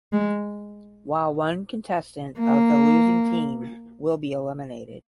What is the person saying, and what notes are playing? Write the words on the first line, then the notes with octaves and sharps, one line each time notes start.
While one contestant of the losing team will be eliminated.
G#3
A#3